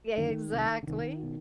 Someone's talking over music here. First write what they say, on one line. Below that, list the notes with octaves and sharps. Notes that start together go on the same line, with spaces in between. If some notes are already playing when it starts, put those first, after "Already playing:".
Yeah, exactly,
F#2 D3 D#3
C2 C3
D3
C2 C3 D#3
B2